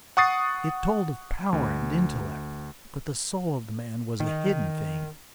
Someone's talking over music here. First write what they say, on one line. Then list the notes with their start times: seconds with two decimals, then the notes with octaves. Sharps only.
It told of power and intellect, but the soul of the man was a hidden thing.
0.17 F#5 C#6 D#6 A6 C7
1.53 D2
4.20 D#3